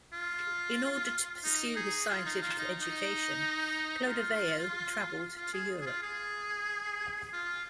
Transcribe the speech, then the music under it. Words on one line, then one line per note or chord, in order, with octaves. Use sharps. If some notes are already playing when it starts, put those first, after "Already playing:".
In order to pursue his scientific education, Clodoveo traveled to Europe.
F4
D#4
G#4
F4
D#4
F4
D#4
D#4
D#4
F4
F4
G#4
G#4
F4
G#4
F4